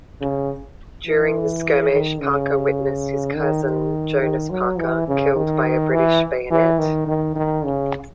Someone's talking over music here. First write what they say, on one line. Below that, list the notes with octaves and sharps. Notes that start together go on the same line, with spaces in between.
During the skirmish Parker witnessed his cousin Jonas Parker killed by a British bayonet.
C#3
E3
D#3
C#3
D#3
D#3
D#3
F#3
E3
C#3
D#3
E3
E3
D#3
D#3
D#3
C#3